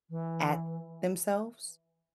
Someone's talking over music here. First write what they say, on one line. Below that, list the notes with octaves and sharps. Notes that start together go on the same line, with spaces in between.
at themselves,
E3